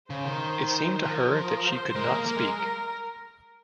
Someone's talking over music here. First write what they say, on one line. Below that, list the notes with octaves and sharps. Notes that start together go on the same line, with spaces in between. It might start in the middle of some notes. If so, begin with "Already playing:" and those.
It seemed to her that she could not speak.
C#3 C5
D#3
F3 A#4
A#4
C5
G#3 A#4
A#3
A#3 A#4
G#3